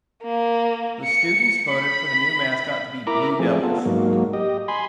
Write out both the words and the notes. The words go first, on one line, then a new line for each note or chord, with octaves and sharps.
The students voted for the new mascot to be "Blue Devils".
A#3
C#7
B5
E4 A#4 A#5 B5 D6
F3 A3 C4 G#4
B3 F4 A4
G#2 F#3 A#3
G4 D#5
G#5 B5 C6